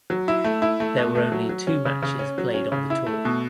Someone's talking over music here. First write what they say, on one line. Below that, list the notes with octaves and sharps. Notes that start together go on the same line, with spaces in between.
There were only two matches played on the tour.
F#3
E4
A3
E4
A3
B2
A3
F#3
F#3
C#4
C#3
C#3
C#4
F#3
C#4
C#3
E4
A3
B2